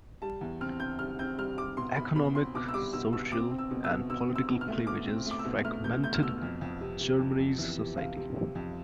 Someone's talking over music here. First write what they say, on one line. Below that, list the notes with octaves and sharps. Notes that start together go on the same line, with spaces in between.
Economic, social, and political cleavages fragmented Germany's society.
G3 A5
E2
C4 F6
C4 G6
G3 F6
C4 G6
G3 F6
G3 D6
B2 C6
B2 B5
B2 B5
C4 C6
B2 D6
E6
G3 D6
B2 E6
B2 E6
C4 D6
C4
E6
B2
E6
B2
B2 E6
C4
E6
B2
F6
A3
B2 D6
C4
A3 D6
E6
B2
A3 F6
B2 G6
A3 G6
F6
B2 E6
F2
F2
C3
C3
F2
F2
E3
C3
C3 F5
C3
C3
F2